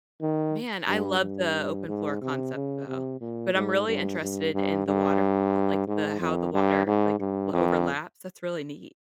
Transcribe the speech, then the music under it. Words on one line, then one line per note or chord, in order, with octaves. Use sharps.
Man, I love the open floor concept, though. But I'm really interested in the waterfall, like, the how the water, like, overlaps, that's really neat.
D#3
G2
G2
G#2
C3
C#3
C3
A#2
G#2
G2
G2
G2
G2
G#2
F2
G2
G#2
G2
F2